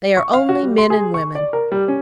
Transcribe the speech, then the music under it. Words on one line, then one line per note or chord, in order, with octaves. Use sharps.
They are only men and women.
C#6
F5
F#4
G3
C6
G#4
C#6
D5
A#4
G3
C#4